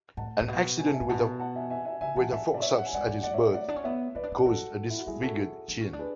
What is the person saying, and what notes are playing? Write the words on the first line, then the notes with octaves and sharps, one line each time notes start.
An accident with a forceps at his birth caused a disfigured chin.
A2 F#5 A5
A2
B2
G#5
A5
E5 G#5
A2
B2 F#5 A5
F#5 A5
E5 G#5
E5 G#5
E5 G#5
C#3 E5 G#5
E3 F#5 A5
F#3 E5 G#5
D5
C#5 E5
F#5
G#5
G#3 D5 F#5
A3
A3 D5 F#5
C#5 E5
D5 F#5
D4
C#4
B3 C#5 E5
C#4 B4 D5
D4
C#4
C#4 F#4 A4
E4
F#4
F#3 E4 G#4
D4
C#4 F#4 A4
D4
C#4
D4
G#4 B4